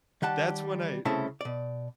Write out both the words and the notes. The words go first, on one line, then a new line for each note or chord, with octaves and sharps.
That's when I y
D#3 G3 F#5 A5
C2 C#3 A3 C4 E4 A5
B2 D5